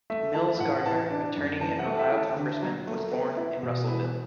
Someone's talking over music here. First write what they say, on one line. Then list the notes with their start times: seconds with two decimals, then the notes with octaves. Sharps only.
Mills Gardner, attorney and Ohio congressman, was born in Russellville.
0.10 A3 E5
0.34 E4 A5
0.60 A2 F#5
0.85 E3 A5
1.10 D4
1.36 F#2
1.61 E3 A5
1.79 F#5
1.86 A3
1.99 E5
2.12 E4
2.18 A5
2.36 D3
2.62 F#3
2.87 A3
3.11 B3
3.37 E4
3.63 B2
3.87 E3 B4